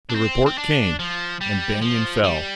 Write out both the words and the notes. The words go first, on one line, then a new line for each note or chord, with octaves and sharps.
The report came; and Banion fell.
D4
C4
C4
D4
F3
G3
F3
G3